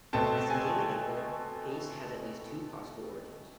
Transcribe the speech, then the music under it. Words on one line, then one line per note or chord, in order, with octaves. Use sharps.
As a name in England, Pace has at least two possible origins.
B2 A3 C4 A5
G#5